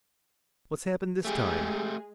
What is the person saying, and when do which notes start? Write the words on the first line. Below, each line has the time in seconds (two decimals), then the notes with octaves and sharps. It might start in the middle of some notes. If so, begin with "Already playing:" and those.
"What's happened this time?"
1.25 G#3 A3 G4 G#4